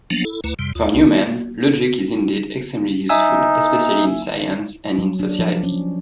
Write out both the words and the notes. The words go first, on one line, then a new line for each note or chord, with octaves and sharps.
For Newman, logic is indeed extremely useful especially in science and in society.
F3 F#3 A#3 B3 D4
E4 A4
D2 A3 E4 B4 A#5
F2 C3 G3
D#2 F4 D5
C2
D#4 E5 G#5 E6
F#3
D4
F3
C#4